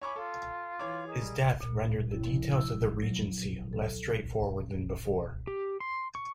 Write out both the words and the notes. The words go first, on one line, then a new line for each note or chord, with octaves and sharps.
His death rendered the details of the Regency less straightforward than before.
E4 C#5 G#5 B5 C#6 D6
F4 A4
E3 C#5 D6
G#4 A#4 D#5
G3
A#2
E4
F3
E6
F#3
A4
G4
C6
C#6